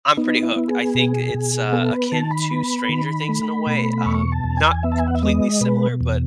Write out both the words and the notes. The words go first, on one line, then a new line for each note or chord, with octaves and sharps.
I'm pretty hooked. I think it's, uh, akin to Stranger Things in a way, um, not completely similar, but,
B3 D#4
E4
B3
G#4
B2
B2
B3 A4
B4
D#3 A5
B5
B3
D#3
A3
B2
E2 C#6
A5
E2
G#5
B3 E5
A5
G#5
F#5
E5
G#3 D#5
B2 B4
E2